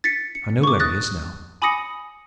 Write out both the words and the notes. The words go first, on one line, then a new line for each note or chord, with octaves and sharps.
I know where he is now.
A6 B6 C#7
C#7
C#6 D6
D#6 F#6 A6 A#6
G#5 B5 D6 D#6 A#6 C#7